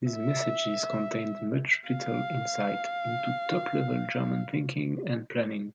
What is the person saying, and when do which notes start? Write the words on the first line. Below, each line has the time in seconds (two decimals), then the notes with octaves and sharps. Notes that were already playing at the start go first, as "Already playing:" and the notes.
These messages contained much vital insight into top-level German thinking and planning.
0.11 E5
1.89 F5